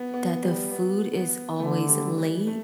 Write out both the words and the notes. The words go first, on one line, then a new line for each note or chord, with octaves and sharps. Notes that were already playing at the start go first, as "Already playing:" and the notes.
that the food is always late
Already playing: B3
B3
G3
B3
B3
D3 A3
G3
E3
A3